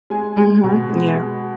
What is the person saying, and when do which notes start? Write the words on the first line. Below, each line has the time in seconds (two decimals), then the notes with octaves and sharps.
Mhm. Yeah.
0.10 G#3 G#5
0.38 G#3
0.64 B2
0.89 G#3
1.15 G#3